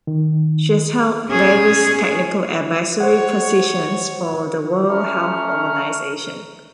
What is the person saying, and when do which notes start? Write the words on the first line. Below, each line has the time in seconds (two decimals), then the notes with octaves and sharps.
She has held various technical advisory positions for the World Health Organization.
0.07 D#3
1.29 C#4 G#4
3.00 C5 C#5 F#5
4.89 A3 C#4 A#5 C#6 F6